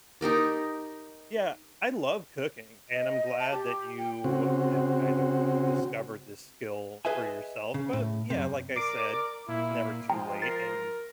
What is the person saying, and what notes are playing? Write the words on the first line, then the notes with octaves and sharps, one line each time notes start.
Yeah, I love cooking, and I'm glad that you have kind of discovered this skill for yourself, but, yeah, like I said, it's never too late, and,
D#4 G4 A#4 D5
D#5
A5
G4
G5
C#3 C4 F#4
G#4 B4 D#5 E5 G#5
C#3
A2
F#2 C3
A#4 D5 D6 C7 D7
A#2 E4
F3 G#3 G5 A#5
A#4 A6 C7